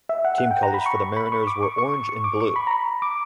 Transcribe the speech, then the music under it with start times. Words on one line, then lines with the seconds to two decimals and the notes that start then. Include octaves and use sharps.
Team colors for the Mariners were orange and blue.
0.09 E5
0.25 F#5
0.38 F#5
0.51 G5
0.63 A#5
0.74 B5
0.86 C#6
1.16 B5
1.32 C#6
1.47 D6
1.63 C#6
1.78 C#6
1.94 C#6
2.09 C#6
2.24 D6
2.40 C#6
2.56 B5
2.67 A#5
2.71 B5
3.02 D6